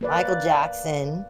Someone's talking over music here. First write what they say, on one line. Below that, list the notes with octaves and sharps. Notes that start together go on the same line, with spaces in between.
Michael Jackson,
A#3 B4 D5